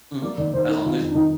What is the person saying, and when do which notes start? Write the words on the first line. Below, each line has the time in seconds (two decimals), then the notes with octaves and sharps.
Mhm, as long as y
0.22 A#3 D5
0.37 D#3 D5
0.53 D#3 C5
0.68 D#4
0.84 D#3 F4
1.00 F2
1.10 D4
1.15 D#3 D#4